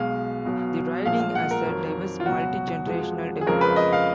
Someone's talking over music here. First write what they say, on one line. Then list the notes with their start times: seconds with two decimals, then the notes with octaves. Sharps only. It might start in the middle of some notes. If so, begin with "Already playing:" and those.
The riding has a diverse, multi-generational demographic.
Already playing: B1 B2 G#3 F5
0.45 B1 B2 F#3
1.06 A#1 A#2 F3 G#3 F5
1.20 F5
1.35 F#5
1.51 A#4
1.66 F2 D#3 F#3
2.20 F4
2.26 C#2 B2 F#3 F#4
2.87 F2 F3 G#3
3.41 G#4
3.47 F2 C#3 F3 G#3 A#4
3.61 B4
3.76 D#5
3.93 F5